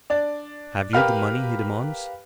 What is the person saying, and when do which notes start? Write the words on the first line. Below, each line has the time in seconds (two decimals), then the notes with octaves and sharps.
"Have you the money he demands?"
0.10 D4 D5
0.93 G4 A#4 B4 F5 B5 F6